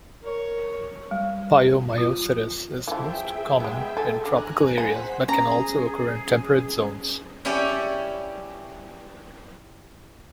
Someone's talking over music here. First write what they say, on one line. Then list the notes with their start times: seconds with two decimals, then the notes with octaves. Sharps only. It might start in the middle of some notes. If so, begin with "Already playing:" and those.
Pyomyositis is most common in tropical areas but can also occur in temperate zones.
0.23 A#4 C#5
1.11 G3
1.98 F4
2.88 E3 F3 G#4 E5 G5
3.60 G#3 B3
3.97 A4 G#5
4.26 D3 G#5 A#5 F#6
4.78 G#4 C5 F#5 B6
5.29 C#4 G#4 A#5
7.45 C#4 E4 G4 C#5 D5 G#5